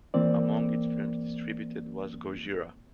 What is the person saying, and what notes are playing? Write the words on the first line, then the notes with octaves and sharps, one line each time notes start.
Among its films distributed was "Gojira".
E3 A#3 C4 D5